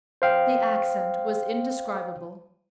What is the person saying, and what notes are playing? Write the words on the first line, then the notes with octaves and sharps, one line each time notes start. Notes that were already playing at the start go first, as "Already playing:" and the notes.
The accent was indescribable.
C5 F5 G5